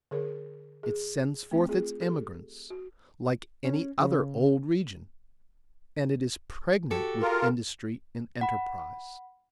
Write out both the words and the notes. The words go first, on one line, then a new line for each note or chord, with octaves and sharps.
It sends forth its emigrants like any other old region, and it is pregnant with industry and enterprise.
D3 G#4 A#4 C#5
G#4
A3 C4
F4 G#4
G4 A4
F#4
C#4
C#3
F#4 G4 A4
F4 A#4
F#5 B5